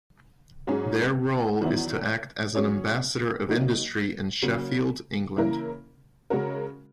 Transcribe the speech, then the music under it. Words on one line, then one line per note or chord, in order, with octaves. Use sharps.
Their role is to act as an ambassador of industry in Sheffield, England.
G#2 F#3 C#4 G#4
E2 D#3 F#3 B3 E4
F#3 C#4 G#4 C#5
D#3 F#3 A#3 D#4
C#3 F#3 A#3
C#3 E3 A#3 E4 A#4
C#3 G#3 C#4 F#4 A#4